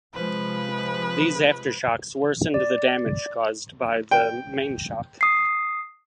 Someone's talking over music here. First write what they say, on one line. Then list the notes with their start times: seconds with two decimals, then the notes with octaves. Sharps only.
These aftershocks worsened the damage caused by the mainshock.
0.14 C3 F3 G#3 B4
2.54 D5
4.11 G5
5.21 D#6 C7